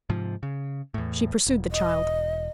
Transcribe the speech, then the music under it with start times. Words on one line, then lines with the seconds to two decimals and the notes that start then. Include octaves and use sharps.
She pursued the child.
0.10 G#2 C3 F3
0.43 C#3
0.94 E2 A2
1.46 E1
1.71 D#5